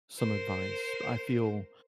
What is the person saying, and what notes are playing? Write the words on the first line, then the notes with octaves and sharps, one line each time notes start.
some advice, I feel
A#4 C5